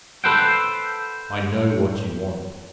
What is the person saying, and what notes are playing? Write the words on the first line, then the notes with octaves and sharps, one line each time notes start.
"I know what you want."
A4 B4 C5 F#5 G5